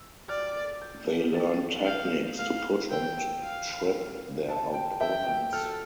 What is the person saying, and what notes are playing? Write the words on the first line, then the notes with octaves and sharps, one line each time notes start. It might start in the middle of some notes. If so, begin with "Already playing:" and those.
They learn techniques to push and trip their opponents.
Already playing: E6
D5 F6
G6
A6
F5 G6
F5 F6
G5 E6
G5
F5
A5
G5
E5 G5
G5
A4 F6